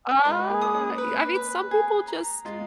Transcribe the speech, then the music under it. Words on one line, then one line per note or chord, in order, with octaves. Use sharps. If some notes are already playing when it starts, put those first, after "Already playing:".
Uh, y I mean, some people just
G#3 B4
A#3
D#6
C#4
B4
B4
G#4
A#5
G#3 F4